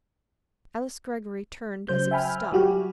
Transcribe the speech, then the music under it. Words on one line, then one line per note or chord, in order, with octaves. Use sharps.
Alice Greggory turned as if stung.
C#3 F#3 C5 G6
E5 G5 G#5 B5 F6
F#3 G3 F#4 G4